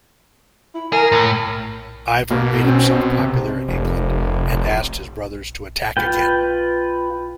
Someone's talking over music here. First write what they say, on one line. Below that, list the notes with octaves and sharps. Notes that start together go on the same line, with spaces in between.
Ivar made himself popular in England and asked his brothers to attack again.
E4
G#4 A#4
A2
B2 A#3
C4 C#4
C3
F1
F4 B4 G5